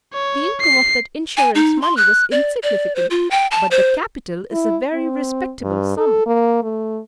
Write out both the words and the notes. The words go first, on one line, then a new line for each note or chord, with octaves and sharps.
The income of that insurance money was insignificant, but the capital is a very respectable sum.
C#5
C7
G#5
D#4
C6
F#6
D5
D5
C5
F4
G5
A5
C5
E4
C4
G2
A4
A#3
A3